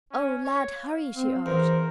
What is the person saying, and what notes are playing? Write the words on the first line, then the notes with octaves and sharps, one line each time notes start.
"Oh, Lad, hurry!" she urged.
C#4
C#5
F5
C4
E2 A#4 C5